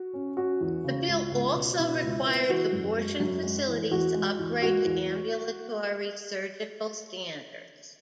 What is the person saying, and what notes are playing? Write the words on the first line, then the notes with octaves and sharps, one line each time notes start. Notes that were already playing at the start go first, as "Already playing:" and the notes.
The bill also required abortion facilities to upgrade to ambulatory surgical standards.
Already playing: F#4
C#4
C#4 F#4
E2
C#3
C#2
C#2
B2
B2 E4
C#2
B3
E3 F#4
F#2
G#3
F#2
G#3
E3
E2 F#4
G#3
E2
G#3 F#4
E2